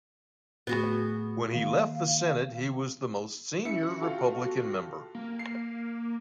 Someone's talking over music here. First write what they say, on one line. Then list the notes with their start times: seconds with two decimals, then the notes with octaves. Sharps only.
When he left the Senate, he was its most senior Republican member.
0.67 A2 A3 B3 F#4 G#4
1.53 D#3 A#3 F5
3.65 C#4 E4 C#7
3.83 F#4
4.01 F4 G4 A4
5.15 A#3
5.39 C7